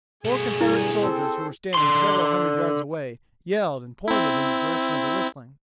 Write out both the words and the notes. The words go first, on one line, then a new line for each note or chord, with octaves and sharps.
Four Confederate soldiers who were standing several hundred yards away yelled and pointed in the direction of the whistling.
B2 A3 G#4
G2 E4 G#5
C4 A4 C5
D3 C6
C4 E4